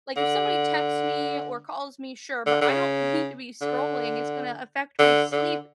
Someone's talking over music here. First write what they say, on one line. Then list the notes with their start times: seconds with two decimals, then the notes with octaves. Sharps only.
like, if somebody texts me or calls me, sure, but I don't need to be scrolling, it's gonna to affect my sleep
0.17 D3
2.46 D3
2.61 D3
2.69 C#3
3.61 D3
4.99 D3
5.32 D3